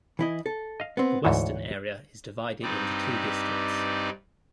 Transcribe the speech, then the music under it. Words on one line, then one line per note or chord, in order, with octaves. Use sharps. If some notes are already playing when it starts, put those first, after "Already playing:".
The Western Area is divided into two districts.
E3 E4 D#5
A4
D#5 F5
B3 C4
D2 G#2 E3 C#5
G2 G3 C4 D#4 B4 D5